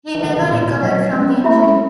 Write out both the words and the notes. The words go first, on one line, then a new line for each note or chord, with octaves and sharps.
He never recovered from the injury.
E3
D#3 B4 D#5 F#5
C#3
B2
A#2 E4
B2
F#3 B4 D#5 F#5
F#3
G#3 C#4
B3
E4 A#4 E5 B5
C#4